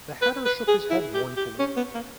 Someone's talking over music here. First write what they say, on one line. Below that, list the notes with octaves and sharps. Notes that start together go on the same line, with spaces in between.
The Hatter shook his head mournfully.
B4
B4
G#4
E4
G4
G4
C#4
B3
A#3